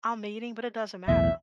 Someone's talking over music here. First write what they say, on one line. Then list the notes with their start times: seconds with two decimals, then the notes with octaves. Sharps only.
I'm meeting, but it doesn't matter.
1.08 B1 E2 A2 E5